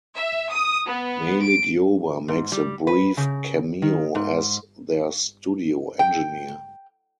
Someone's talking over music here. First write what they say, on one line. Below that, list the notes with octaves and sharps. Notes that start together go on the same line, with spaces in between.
Malik Yoba makes a brief cameo as their studio engineer.
E5
D#6
B3
D7
G#2
G3
B4
C#3
D#3
G#2
G5